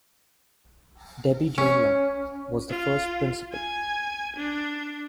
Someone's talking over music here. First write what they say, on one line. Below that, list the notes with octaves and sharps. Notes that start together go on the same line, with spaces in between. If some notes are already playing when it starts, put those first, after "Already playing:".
Debbie Dunlap was the first principal.
C#4
F4
G#5
D4